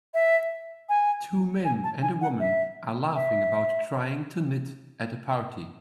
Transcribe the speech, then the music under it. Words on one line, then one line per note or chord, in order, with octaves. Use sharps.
Two men and a woman are laughing about trying to knit at a party.
E5
G#5
G#5
A5
G#5
F#5
E5
E5